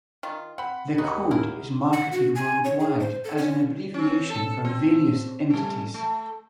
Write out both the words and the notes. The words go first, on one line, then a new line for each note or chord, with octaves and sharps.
The code is marketed worldwide as an abbreviation for various entities.
D#3 F4
C4 F#5 B5
D#2 D#4 F#4
E4 A#4
F#5
F#4
G#5
C#5
G#4
C5
A4
C#4
C4 C#4
A4
C4
G3 A3
A3